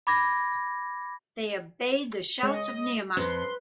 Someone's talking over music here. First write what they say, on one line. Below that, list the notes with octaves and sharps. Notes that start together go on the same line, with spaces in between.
They obeyed the shouts of Niamh.
B5 D6 G#6 A#6
G#3 C#5 D#5
F2 B4 C6